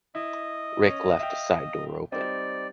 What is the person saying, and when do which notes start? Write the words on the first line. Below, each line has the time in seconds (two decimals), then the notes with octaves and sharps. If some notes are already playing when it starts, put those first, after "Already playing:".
Rick left a side door open.
0.15 E4 D#5
0.85 C#4
1.19 E5 F5 G5
2.12 G3 C4 D#4 D5